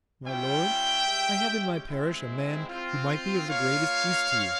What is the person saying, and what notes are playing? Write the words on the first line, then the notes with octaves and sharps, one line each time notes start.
"My lord, I have in my parish a man who might be of the greatest use to you."
G3 C#4 F4 E5 G5
G#3 C#4 G4
G#3 C4 E4
C4 F4
A#3 F4 C#5 F5
C4